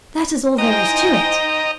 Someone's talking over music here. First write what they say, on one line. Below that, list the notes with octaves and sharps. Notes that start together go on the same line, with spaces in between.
That is all there is to it.
D#4 E4 C5 D#5 G5 G#5 A#5